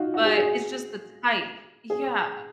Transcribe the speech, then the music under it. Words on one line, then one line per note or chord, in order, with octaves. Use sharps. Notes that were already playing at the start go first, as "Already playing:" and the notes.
but it's just the type. Yeah.
Already playing: D#4 F4 F#4
F#4
G#4
G#4
G#4